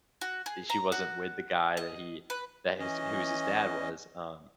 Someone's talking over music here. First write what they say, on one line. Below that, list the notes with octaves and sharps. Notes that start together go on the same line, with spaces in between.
she wasn't with the guy that he that his who was his dad was, um,
F#4
G#4
A#5
F#4
D#5
B4
E3 C#4 D#5